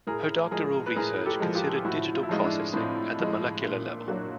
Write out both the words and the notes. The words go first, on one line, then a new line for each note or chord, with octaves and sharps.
Her doctoral research considered digital processing at the molecular level.
A2 G#4 A#4
F3 G#3 G#4 A#4
B4
A2 G#4 A#4
G4 A4
F3 G#3
F4 G4
G4
A2 E4 F#4
F4
E4
F3 G#3 D#4 F4
D4 E4
A2 C4 D4
F3 G#3
A#2
F#3 A#3 D4 F#4